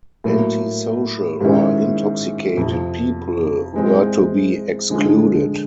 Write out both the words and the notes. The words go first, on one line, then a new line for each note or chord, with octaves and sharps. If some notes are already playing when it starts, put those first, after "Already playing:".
Anti-social or intoxicated people were to be excluded.
A2 F#3 A#3
G#2 D#3 G#3 C#4 E4
F2 C3 F3
E3 G#3 C4
D3 F3 G#3